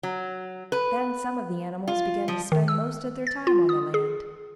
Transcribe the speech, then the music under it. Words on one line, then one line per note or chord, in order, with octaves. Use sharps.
Then some of the animals began to spend most of their time on the land.
F#3
B4
F4
F3
D#3
E6
A6
F4
D#6
G#4